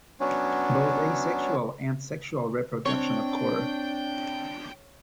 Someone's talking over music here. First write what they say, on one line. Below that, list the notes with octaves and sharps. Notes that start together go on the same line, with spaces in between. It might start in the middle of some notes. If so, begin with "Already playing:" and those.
Both asexual and sexual reproduction occur.
F#3 B3 C#4 D4
C4 D4 C#5 G5